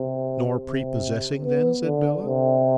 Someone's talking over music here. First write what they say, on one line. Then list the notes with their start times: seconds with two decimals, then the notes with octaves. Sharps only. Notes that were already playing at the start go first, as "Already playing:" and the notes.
'Nor prepossessing then?' said Bella.
Already playing: C3
0.67 C3
1.44 B3
1.83 D3
2.23 C3